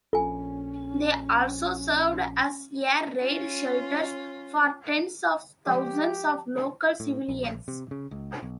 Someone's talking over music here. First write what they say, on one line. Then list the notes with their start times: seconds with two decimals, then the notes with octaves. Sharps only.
They also served as air-raid shelters for tens of thousands of local civilians.
0.13 A#1 C#4 F4 A4 G#5
3.18 C#4 F4
5.66 F3 G#3 G4
7.00 A2
7.28 A#1
7.68 C3
7.91 C#3
8.11 C#2
8.43 B1